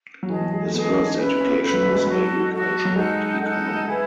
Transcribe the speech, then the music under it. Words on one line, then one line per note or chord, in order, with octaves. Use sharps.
His first education was agriculture and economy.
F#3
E3 G#4 D#5 A5
F#3
G#3
A3
B3 G#4 D#5 A5
C#4
E4
D#4
C#4 B4 E5 B5
C#4
C#4
B3
A3
B4 E5 B5
F#3
F#3
G#3
F#3
F#3 F#4 A4 D#5
F#4 A4 D#5
F#3
G#3 D#4 A4 D#5 F#5
D#4 A4 D#5 F#5
E4 G#4 B4